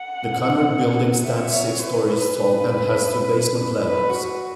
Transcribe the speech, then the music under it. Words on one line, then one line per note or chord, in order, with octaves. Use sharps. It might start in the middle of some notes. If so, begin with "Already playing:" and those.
The Cunard Building stands six storeys tall and has two basement levels.
Already playing: F#5
E5
C#5
B4
B4
F#4